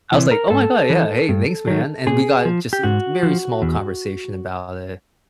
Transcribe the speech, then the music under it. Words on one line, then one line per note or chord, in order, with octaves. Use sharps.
I was like, "Oh my god, yeah, hey, thanks, man," and we got just in t very small conversation about it,
C3 E3
A#4
G#2 A4
E3
G2
D#3 F#3
A#2 G#4
F3
G4
G#2 F#4
F3
E2